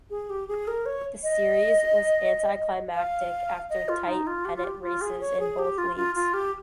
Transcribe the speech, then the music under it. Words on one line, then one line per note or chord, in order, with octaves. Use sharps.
The Series was anti-climactic after tight pennant races in both leagues.
G#4
G4
G#4
A#4
C#5
D#5
F5
D#5
F4
D#4
F4
G4
F4
G4
F4
G#4
C#5
G#4
G4
F4
F4
F4
G4